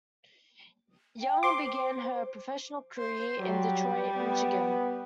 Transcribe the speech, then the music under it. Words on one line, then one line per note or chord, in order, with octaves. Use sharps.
Young began her professional career in Detroit, Michigan.
G5
C5 C6 D6
C5
F#3 G3
B3